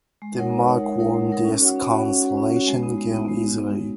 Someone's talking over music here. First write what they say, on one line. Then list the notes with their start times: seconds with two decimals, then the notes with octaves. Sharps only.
Denmark won this consolation game easily.
0.22 G#3
0.37 D#4 A#4 C#5 F#5
0.52 G#3
0.68 D#4 A#4 C#5 F#5
0.84 G#3
0.99 D#4 A#4 C#5 F#5
1.14 G#3
1.30 D#4 A#4 C#5 F#5
1.45 C#4
1.60 F#4 C#5 F#5
1.76 C#4
1.91 F#4 C#5 F#5
2.06 C#4
2.22 F#4 C#5 F#5
2.37 C#4
2.52 F#4 C#5 F#5
2.67 G#3
2.83 B3 D#4
2.98 G#3
3.14 B3 D#4
3.28 G#3
3.44 B3 D#4
3.60 G#3
3.75 B3 D#4